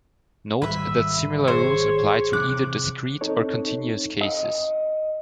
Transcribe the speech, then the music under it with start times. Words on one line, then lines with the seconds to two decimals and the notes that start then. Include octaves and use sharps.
Note that similar rules apply to either discrete or continuous cases.
0.62 G#1 G3 B4 E5
1.48 G#4 C5 C#5
2.33 C3 E3 C4 D6 F#6
3.21 C4 D#4 A4 C#5
4.21 D#5